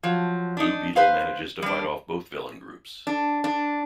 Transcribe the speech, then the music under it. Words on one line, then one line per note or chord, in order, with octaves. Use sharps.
Blue Beetle manages to fight off both villain groups.
F3 F#3
D4 D#4
B4 C5 F5
G3 D4
D4
D4